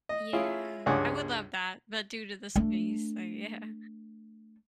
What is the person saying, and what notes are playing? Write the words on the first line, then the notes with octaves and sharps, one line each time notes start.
Yeah. I would love that, but due to the space, I yeah.
D#5
C#4 E4 F4 G#4
C#2 G2 G#4 C#5 F#5 D6
A3 D4